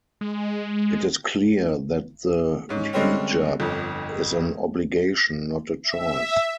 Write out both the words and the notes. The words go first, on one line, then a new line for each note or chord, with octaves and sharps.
It is clear that the hijab is an obligation, not a choice.
G#3
G#2 C#4
D3 G3 G#3 C4 C#4
G1 F2
E5